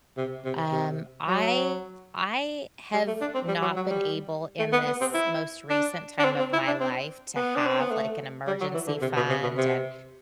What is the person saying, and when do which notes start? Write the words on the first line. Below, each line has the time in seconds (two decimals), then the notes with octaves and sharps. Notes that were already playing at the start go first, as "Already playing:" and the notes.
Um, I I have not been able in this most recent time of my life to have, like, an emergency fund and
0.17 C3
0.45 C3
0.72 C3
1.27 F#3
2.94 G3
3.07 A3
3.21 D4
3.35 C4
3.48 G3
3.62 F#3
3.76 F#3
3.90 G3
4.59 A3
4.73 B3
4.88 B3
5.01 C4
5.14 E4
5.70 D4
6.19 D4
6.25 C4
6.39 C4
6.53 E4
6.67 D4
6.80 C4
7.36 B3
7.56 D4
7.67 C4
7.80 B3
7.91 A3
8.47 G3
8.61 F#3
8.74 E3
8.87 D3
9.02 C3
9.16 B2
9.30 C3
9.43 B2
9.57 C3